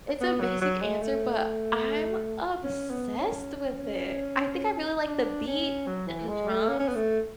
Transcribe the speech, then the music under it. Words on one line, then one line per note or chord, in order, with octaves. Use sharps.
It's a basic answer, but I'm obsessed with it. I think I really like the beat and the drums.
B3
F#3
F#3
G#3
A3
C#4
B3
C#4
D4
C#4
F#3
E3
G#3
A3
C#4
C#4
B3
A3